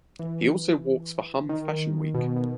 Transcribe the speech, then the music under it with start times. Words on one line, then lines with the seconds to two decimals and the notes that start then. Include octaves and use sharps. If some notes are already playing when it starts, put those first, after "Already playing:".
He also walks for Hum Fashion Week.
0.19 E3
1.49 D#3
2.14 B2
2.37 B2